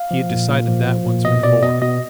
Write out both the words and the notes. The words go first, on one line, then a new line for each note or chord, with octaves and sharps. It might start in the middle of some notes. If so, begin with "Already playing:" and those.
He had decided that once before!
Already playing: F5
F3
A#2
A#2
F3
F3
A#2
B2 D#5
B2 D5
B2 D#5
B2 D#5